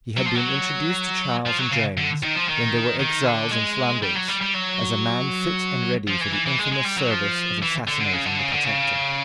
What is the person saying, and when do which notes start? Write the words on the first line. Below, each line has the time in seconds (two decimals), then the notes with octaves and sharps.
He had been introduced to Charles and James when they were exiles in Flanders, as a man fit and ready for the infamous service of assassinating the Protector.
0.17 F#3
0.26 F3
0.35 F#3
1.46 F3
1.58 F#3
1.71 C#3
1.97 D3
2.23 D#3
2.35 F3
2.48 D#3
2.99 D#3
3.25 D3
3.51 G#3
4.02 G3
4.15 F#3
4.28 G3
4.41 G3
4.54 F#3
6.07 F3
6.21 E3
6.33 E3
6.46 E3
6.59 G#3
6.72 G#3
6.85 G3
6.98 F#3
7.11 F3
7.62 E3
7.87 D3
8.00 D3
8.13 C#3
8.26 D3
8.39 C#3
8.52 D3
8.65 C#3